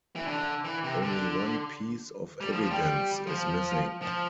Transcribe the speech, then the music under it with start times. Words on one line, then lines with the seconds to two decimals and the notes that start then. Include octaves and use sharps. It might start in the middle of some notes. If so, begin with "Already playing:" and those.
Only one piece of evidence is missing.
0.16 E3
0.27 D3
0.64 E3
0.84 C3
1.02 D3
2.40 G3
2.52 F3
2.63 F3
2.70 G3
3.27 F3
4.02 F3